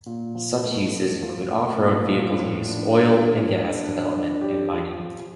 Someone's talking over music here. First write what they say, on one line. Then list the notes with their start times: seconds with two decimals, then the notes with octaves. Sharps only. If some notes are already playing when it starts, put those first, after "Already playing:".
Such uses include off-road vehicle use, oil and gas development, and mining.
0.06 A#2
0.35 F3
0.64 A3
0.93 A3
1.22 F3
1.51 A3
1.80 A#2
2.09 F3
2.39 A2
2.68 D4
2.96 G3
3.25 D4
3.55 D4
3.83 D4
4.12 D4
4.41 G4
4.70 F3
5.00 F3